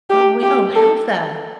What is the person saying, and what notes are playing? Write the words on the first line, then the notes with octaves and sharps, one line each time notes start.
Oh, we don't have that.
G4
G4
A4